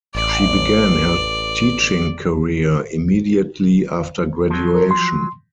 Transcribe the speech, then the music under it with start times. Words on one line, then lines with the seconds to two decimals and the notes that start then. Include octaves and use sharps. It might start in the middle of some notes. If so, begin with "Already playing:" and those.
She began her teaching career immediately after graduation.
0.15 A1 D5
4.50 F3 F#3
4.75 A#4
4.91 C6